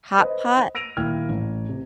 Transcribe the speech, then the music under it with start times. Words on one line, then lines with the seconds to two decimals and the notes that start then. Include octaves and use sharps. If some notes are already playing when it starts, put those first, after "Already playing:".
Hot pot?
0.18 B4 C5 D#5
0.75 E6 A#6 D7 D#7 F7
0.97 D#1 A#3 E4 G5 F6 G#6
1.29 A1
1.69 C3